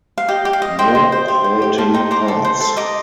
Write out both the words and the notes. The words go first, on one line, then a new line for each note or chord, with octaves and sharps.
No halting parts.
F5
G4 D#5
G4
F5
D#5
C5 D#5 G5
C5
C5
G4
C5
G4
C5 F5 A5
D#4 G5 A#5
C5 A#5 D6
A4
C5
A4
D#5 A#5 D6